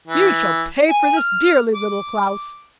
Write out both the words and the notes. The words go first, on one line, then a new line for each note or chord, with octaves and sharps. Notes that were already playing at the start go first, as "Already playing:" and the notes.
'You shall pay for this dearly, Little Klaus!'
E3
G#5
F6
D6